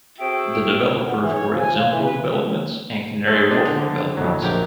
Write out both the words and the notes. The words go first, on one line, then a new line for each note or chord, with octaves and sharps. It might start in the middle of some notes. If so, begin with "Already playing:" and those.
The developers were Exemplar Developments and Canary Wharf Developments.
C4 F#4 G#4 A4 E5 G5
B3
E3
C#5
F3
G#5
F4
E3
B4
D#2
G#3 A3 A4
D4 C5 D#5
D3
F2 A2 F#3
A#1 F#3 G4 A#4